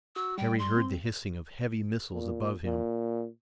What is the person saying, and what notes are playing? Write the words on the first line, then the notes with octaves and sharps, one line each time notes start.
Harry heard the hissing of heavy missiles above him.
F#4 E6
G3 G5
C6
C4
A#2
A#2